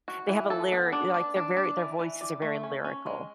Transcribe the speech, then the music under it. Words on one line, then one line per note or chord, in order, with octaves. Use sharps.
they have a lyri like, their very their voices are very lyrical.
F#4
E3
A4
B3
D4
D4
D4
D4
E3
E3
D5
A3
C#4
C#4
G#3